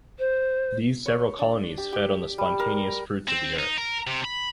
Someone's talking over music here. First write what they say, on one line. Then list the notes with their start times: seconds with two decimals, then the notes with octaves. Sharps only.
These several colonies fed on the spontaneous fruits of the earth.
0.19 C5
1.06 C#5
1.39 D4
1.78 G4
1.93 G4
2.38 G3
2.60 A#4
3.28 C4
3.59 D#4
3.78 A#4
4.07 C3
4.25 B5